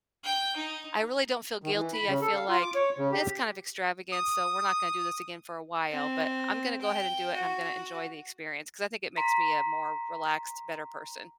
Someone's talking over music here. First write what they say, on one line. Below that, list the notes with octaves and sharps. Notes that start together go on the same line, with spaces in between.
I really don't feel guilty; I feel like, "It's kind of extravagant, so we're not gonna do this again for a while, but, I'm gonna go ahead and do it, and I'm gonna enjoy the experience," 'cause I think it makes me a more relaxed, better person,
G5
D#4
D#3
E3
B5
C#3
A4
F5
F4
D6
C#5
C#3
G4
D#6
C4
G5
F#4
A#5 C6 B6